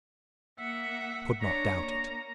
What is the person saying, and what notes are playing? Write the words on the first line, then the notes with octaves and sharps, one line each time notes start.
I could not doubt it.
A#3 E5 F#5
D4 C#5 A#5
A#3